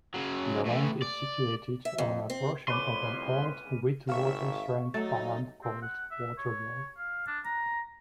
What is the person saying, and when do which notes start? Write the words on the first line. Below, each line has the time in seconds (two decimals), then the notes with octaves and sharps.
The land is situated on a portion of an old Witwatersrand farm called "Waterval".
0.14 C#3 F#3
0.65 A2 E3
1.02 D5
1.85 E5
1.98 F2
2.30 C4
2.68 C2 F2 A2 C#4 B4 C6 D6 D#7
4.09 G#1 E5 F5 C#6
4.94 F#3 A3 D#4 A4 A6
5.63 C4
5.82 F#5
6.11 E5
6.38 C#5
6.98 F5
7.27 D4
7.45 A#5